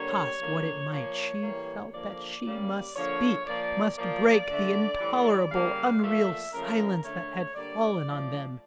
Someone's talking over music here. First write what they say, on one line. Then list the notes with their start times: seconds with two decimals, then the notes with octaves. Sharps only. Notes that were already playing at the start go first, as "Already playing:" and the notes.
Cost what it might she felt that she must speak, must break the intolerable, unreal silence that had fallen on them.
Already playing: D3 G3 A#3 C#5
0.40 D3 F3 A#3
0.91 A#2 F3 A#3 C#5
1.42 A2 E3 G3 A#3
1.92 D3 F3 A#3 D5
2.44 C#3 G3 A#3
2.95 D3 F3 A#3 C#5
3.46 A#2 F3 A#3 D5
3.97 A#2 F3 A#3 D5
4.48 D3 A3
4.99 A2 E3 G3
5.50 C#3 G3 A#3 F5
6.02 A#2 F3 A3 E5
6.52 C#3 F3 A3 A#4
7.04 D3 A3 C#5
7.55 D3 G3 A#3 D5
8.06 A2 F3 A3